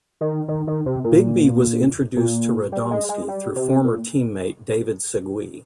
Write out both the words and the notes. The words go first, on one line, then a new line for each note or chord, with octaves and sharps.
Bigbie was introduced to Radomski through former teammate David Segui.
D#3
D#3
D#3
C3
A#2
A#2
G3
G#3
G#3
G3
C3
A#2